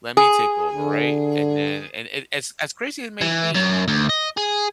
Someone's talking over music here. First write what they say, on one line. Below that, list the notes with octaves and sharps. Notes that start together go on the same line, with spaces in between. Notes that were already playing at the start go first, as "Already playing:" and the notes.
let me take over," right, and then and it as as crazy as it may be.
G#4
D3
E3
F#2
D2
D#5
G#4